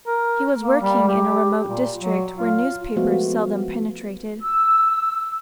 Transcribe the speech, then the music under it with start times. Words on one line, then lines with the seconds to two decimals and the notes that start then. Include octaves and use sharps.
He was working in a remote district where newspapers seldom penetrated.
0.07 A#4
0.62 A#3
0.81 G3
1.08 G4
1.64 A#2
1.97 F#3
2.36 F4
2.96 F3 G#3 A3 B3 F4 F#4
4.42 E6